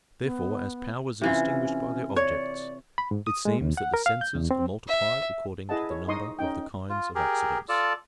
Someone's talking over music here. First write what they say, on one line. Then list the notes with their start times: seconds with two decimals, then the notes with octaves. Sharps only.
Therefore, as powers are distinguished by their objects, it seems that the senses are multiplied according to the number of the kinds of accidents.
0.23 B3
1.21 C3 E3 C#4 F4
2.16 C#5 D5
2.98 B5
3.11 G#2
3.27 D#6
3.45 G#3
3.61 D#2
3.77 F#5
3.94 A#4
4.06 F5
4.21 G6
4.35 E2
4.51 C4
4.89 E5
5.69 E4 G#4 D#5 F#5 A5
5.90 C#5
6.08 D#4 D#5 C6 C#6 D#6
6.39 C#4 D#4 G5
6.90 F4
7.15 G4 G#4 A#4
7.69 F4 A4 D5 A5